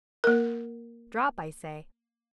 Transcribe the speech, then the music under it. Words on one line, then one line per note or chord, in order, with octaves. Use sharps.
Drop, I say.'
A#3 A#4